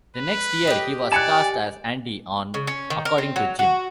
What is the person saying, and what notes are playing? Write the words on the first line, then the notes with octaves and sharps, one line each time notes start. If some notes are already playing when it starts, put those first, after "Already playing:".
The next year he was cast as "Andy" on "According to Jim".
B4
G4 D#5
D5 G#5 F#6 C#7 E7
C#3
C#4
D#3
A#4
C4
F#3
F#4